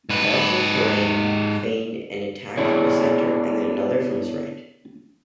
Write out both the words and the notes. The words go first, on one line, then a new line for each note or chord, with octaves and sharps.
Marshal Turenne feigned an attack from the center and then another from his right.
G#2 B4
B3 D4 E4 G#4 C#5